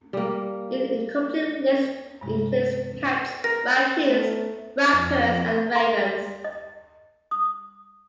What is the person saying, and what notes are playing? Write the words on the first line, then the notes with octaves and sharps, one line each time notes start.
An incomplete list includes cats, raccoons, raptors and ravens.
G3 A#3
G2 C3 G#3
A#4 A#6
A3
F2
C6
D#5
D#6